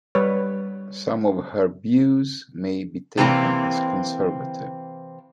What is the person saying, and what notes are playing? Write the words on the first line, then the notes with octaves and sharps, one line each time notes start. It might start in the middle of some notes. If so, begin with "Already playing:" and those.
Some of her views may be taken as conservative.
G3 B4 C#5
C3 E3 A#3 C4